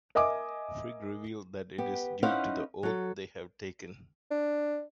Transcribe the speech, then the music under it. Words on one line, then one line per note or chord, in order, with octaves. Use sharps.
Frigg revealed that it is due to the oath they have taken.
A#4 D#5 E5 G#5 D6
B3 G4
C#4 D#4 E4 C5 F5 F#5
F#3 A4
D4